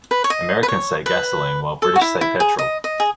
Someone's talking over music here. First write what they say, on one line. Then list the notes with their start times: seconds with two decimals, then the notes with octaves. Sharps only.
Americans say gasoline while British say petrol.
0.11 B4
0.24 C#5
0.30 D#5
0.63 B4
0.68 C#5
1.06 B4
1.82 A4
1.96 F#4
2.01 E4
2.21 E4
2.40 G#4
2.59 D#5
2.84 D#5
3.00 G#4